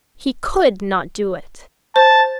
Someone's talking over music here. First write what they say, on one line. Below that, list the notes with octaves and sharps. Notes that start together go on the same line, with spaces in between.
He COULD not do it!
C5 A5